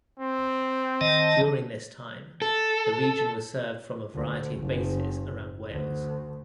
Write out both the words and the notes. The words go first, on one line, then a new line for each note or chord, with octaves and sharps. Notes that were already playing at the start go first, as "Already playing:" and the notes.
During this time, the region was served from a variety of bases around Wales.
C4
D#3 D#5 A5
A4
D2
F#1
D2